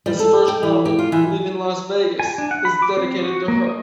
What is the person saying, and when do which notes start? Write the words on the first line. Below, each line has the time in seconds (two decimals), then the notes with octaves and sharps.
His first novel, "Leaving Las Vegas", is dedicated to her.
0.06 G3
0.19 A4
0.48 G5
0.63 E3
0.85 G4
0.99 F4
1.12 E3
2.20 G#5
2.38 D4
2.51 F#5
2.65 B5
2.82 D6
2.97 C4
3.23 F#4
3.48 A#3
3.67 D#5